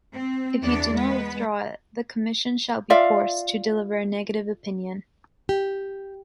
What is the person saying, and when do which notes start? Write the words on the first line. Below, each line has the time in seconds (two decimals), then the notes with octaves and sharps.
If you do not withdraw it, the Commission shall be forced to deliver a negative opinion.
0.15 C4
0.63 E2 B3 D4 D5
0.94 G#3 B3 B4
2.90 F4 D5 E5 F5
5.49 G4